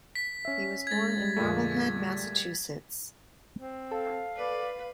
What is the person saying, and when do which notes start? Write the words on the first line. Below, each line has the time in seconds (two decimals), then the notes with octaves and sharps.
He was born in Marblehead, Massachusetts.
0.15 B6
0.45 C#4 E5
0.87 G#3 G#6 A6
1.37 F2 A#2 D3 F3 G#3 A3
1.86 G3
3.56 C4
3.91 A4 F5
4.36 B4 D5